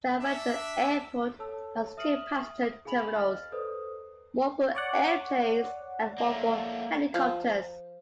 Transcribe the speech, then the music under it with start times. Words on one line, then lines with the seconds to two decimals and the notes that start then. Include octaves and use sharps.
Stavanger Airport has two passenger terminals, one for airplanes and one for helicopters.
0.19 D4 E5
1.39 A4 C#5 A5 E6
1.97 E5 D#6 F6 D#7 F#7
2.85 G#4 F5 G#5 B5 F7 F#7
3.16 D#5 F5 F6 A6
3.52 A4 B4 C5 D5 D#6
4.75 C#5 D5 F#5
6.18 A3 A#3
7.14 F3